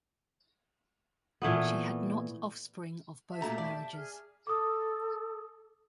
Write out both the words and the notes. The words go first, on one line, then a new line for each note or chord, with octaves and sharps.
She had not offspring of both marriages.
A#2 E3 A3 B3
G4 E5 A5
A#2 A3 A#5
D5
G#4 F6
A4 D6 D#6